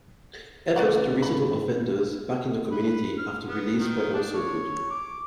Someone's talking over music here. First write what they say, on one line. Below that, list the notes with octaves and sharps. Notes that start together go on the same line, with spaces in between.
Efforts to resettle offenders back in the community after release were also good.
C#2 B4 D5 F#5
G#2 B5
B4
F6
B3
D#3
D4
C#5
D6